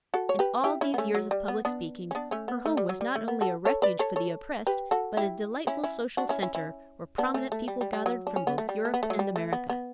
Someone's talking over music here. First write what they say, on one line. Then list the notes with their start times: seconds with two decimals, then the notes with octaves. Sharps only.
In all these years of public speaking, her home was not only a refuge for the oppressed, but a delightful social centre, where prominent people gathered from both Europe and America.
0.14 F#4 A4
0.29 C#5
0.39 G4 B4
0.64 E4 G4
0.81 C#4 E4
0.94 B3
0.98 A3 C#4
1.15 F#3
1.31 G3
1.48 B3
1.65 B3 D4
2.11 C#4
2.15 B3 D4
2.31 A3 C#4
2.48 B3
2.66 A3
2.77 G3
2.89 F#3
3.01 G3
3.15 A3
3.28 B3
3.41 F#4 A4
3.65 A4 C#5
3.82 B4 D5
3.99 A4 C#5
4.16 A4 C#5
4.67 G4 B4
4.91 F#4 A4
5.17 E4 G4
5.67 C#4 E4
5.84 C#4 E4
6.17 D4 F#4
6.29 C#4 E4
6.42 C#4 E4
6.55 C#4 E4
7.18 B3 D4
7.34 A3 C#4
7.52 A3
7.68 G3
7.81 G3
7.93 G3
8.06 F#3
8.27 D4
8.36 C#4
8.47 B3
8.58 A3
8.69 G3
8.85 A3
8.94 B3
9.03 A3
9.10 F#3
9.19 G3
9.36 A3
9.53 B3
9.70 B3